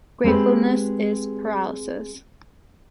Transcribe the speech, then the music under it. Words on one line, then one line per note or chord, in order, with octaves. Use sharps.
Gratefulness is paralysis.
G#3 C4 G4 B4